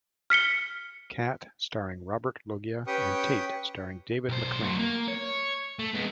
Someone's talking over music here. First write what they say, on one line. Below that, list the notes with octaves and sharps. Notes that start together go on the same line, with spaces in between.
Cat, starring Robert Loggia, and Tate starring David McLean.
F6 B6 C#7 G7
C#4 G4 B4 G5 C#6 D#6
B1 C5
A2 F#3
A#3
C#5
A3
G#3 B3